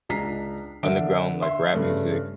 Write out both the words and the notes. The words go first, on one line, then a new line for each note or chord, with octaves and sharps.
underground, like, rap music,
C#2 D4 A#5 B6 C7
D3 D4 A#4 E5 D7
E5 C6
G2 C#3 A3